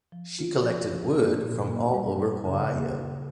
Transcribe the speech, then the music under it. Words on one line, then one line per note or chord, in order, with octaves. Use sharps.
She collected wood from all over Ohio.
F3
F4
F3
F3
A#3
A#2
A#3
G3
G3
C#3
A#3
C#3